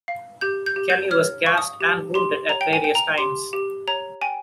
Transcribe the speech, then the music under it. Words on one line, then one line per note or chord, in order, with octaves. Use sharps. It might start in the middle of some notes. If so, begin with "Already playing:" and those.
Kelly was gassed and wounded at various times.
F5
G4 G6
G6
G4
G6
C#5 F6
F5 C#6
D#6
G4
G4 C6
C#5 A#5
G5
G#5
G5
A#5
G4 C6
G4
C#5 A#5
G5 G#5